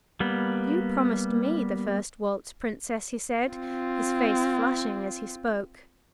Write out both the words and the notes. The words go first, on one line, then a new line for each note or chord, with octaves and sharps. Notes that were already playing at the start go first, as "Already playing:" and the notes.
"You promised me the first waltz, Princess," he said, his face flushing as he spoke.
G3 A#3 B3
C4 F4